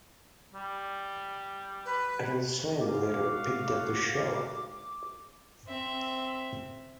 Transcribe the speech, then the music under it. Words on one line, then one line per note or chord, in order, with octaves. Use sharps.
Adult Swim later picked up the show.
G3
B4
G#2 F#4 F5 D6
C4 E5